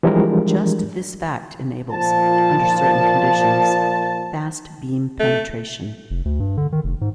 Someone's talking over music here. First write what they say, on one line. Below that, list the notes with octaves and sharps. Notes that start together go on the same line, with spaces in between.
Just this fact enables, under certain conditions, fast beam penetration.
E3 F3 G3 G#3 D4 A#4
A#2 F3 A5
A3
F1
D2
G2
D3
D#3
F1
G#2